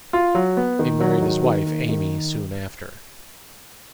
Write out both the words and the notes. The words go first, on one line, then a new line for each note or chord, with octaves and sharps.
He married his wife, Amy, soon after.
F4
F#3
B3
D#3
F#3
D#3
D#3
A#3
D#3